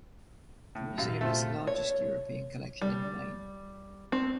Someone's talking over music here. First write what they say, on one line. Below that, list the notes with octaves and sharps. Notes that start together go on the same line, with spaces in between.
The Museum has the largest European collection in Maine.
A2
F#2 A#2 G4 F5 A6
A3 C4 F4
C#5
G3
C4